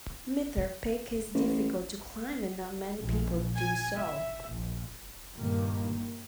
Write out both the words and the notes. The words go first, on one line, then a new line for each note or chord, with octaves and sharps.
Mitre Peak is difficult to climb and not many people do so.
A1
A#1
G#5
E5
A#1
G2 A#2 D#3 A#3